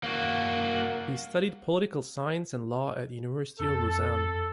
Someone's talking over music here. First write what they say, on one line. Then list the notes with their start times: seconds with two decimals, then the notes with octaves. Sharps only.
He studied political science and law at the University of Lausanne.
0.03 A#3 F#4
3.59 F2 A4